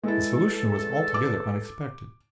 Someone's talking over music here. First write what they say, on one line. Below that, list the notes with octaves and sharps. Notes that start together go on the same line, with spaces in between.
The solution was altogether unexpected.
E2 G#3 E4 A4
D6